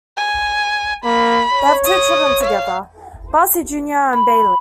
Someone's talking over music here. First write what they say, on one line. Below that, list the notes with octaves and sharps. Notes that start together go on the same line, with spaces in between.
They have two children together, Bracey Junior and Bailey.
G#5
A#3 B5
C#5
D#6
F5
B5